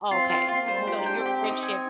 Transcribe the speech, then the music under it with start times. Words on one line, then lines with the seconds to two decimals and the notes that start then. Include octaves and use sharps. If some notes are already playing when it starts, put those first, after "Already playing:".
Oh, okay. So, your friendship
0.11 C4 F4
0.29 F4
0.49 A#3 F4
0.54 C4
0.59 A#3
0.68 G3 C5
0.78 G#3
0.87 F4 G4
0.97 D#4
1.06 D4 G5
1.16 C4
1.26 G4
1.44 D#4
1.63 G#5